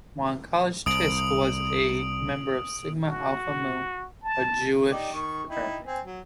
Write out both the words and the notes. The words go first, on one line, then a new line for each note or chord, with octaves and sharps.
While in college Tisch was a member of Sigma Alpha Mu, a Jewish fraternity.
C2 D#6 D7 F#7
F#4
A5
D#4 G4 D5
D#3 C#6
D#4 E4 G5
C4 G#5
F#3